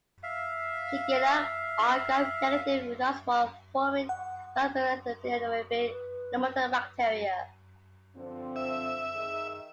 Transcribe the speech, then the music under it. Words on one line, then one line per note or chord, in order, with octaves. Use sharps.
Shigellae are Gram-negative, nonspore-forming, facultatively anaerobic, nonmotile bacteria.
E5 F5
F#5
B4
D3 F3 C4
E5
D#3 G#4